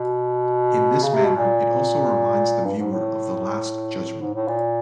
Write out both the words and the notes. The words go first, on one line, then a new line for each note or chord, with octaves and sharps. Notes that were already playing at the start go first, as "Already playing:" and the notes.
In this manner it also reminds the viewer of the Last Judgment.
Already playing: B2
C#3
C3
B2
A#2
G2
G#2
A2
G#2
A2
A#2